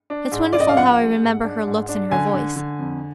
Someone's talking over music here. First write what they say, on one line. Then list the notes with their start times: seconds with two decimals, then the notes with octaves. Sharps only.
It's wonderful how I remember her looks and her voice.
0.10 D4
0.32 G#2
0.53 G#2 D5
0.60 D#5
0.69 F5
0.76 F3 F#5
0.99 G#3
1.22 G#2
1.44 D4
1.67 G#2
1.89 D4
2.11 D3 G#5
2.33 D3
2.56 D3
2.79 F2